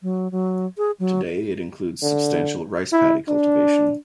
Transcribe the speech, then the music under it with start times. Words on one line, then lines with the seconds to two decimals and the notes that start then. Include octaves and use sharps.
Today, it includes substantial rice paddy cultivation.
0.03 F#3
0.31 F#3
0.78 G#4
1.00 F#3
2.03 D3
2.92 E4
3.28 D4